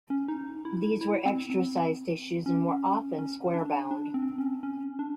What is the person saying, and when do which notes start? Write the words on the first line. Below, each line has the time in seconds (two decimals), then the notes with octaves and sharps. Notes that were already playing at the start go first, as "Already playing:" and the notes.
These were extra-sized issues, and were often square-bound.
0.10 C#4
0.28 D#4
0.65 E4
1.01 E4
1.26 C4
1.50 C4
2.46 C#4
3.19 C#4
3.54 D4
3.91 D4
4.14 C4
4.38 C#4
4.63 C#4
4.99 D4